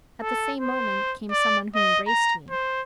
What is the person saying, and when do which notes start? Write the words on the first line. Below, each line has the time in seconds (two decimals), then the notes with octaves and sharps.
At the same moment came someone who embraced me.'
0.22 A4
0.60 C5
1.31 D5
1.75 D#5
2.07 A#5
2.51 C5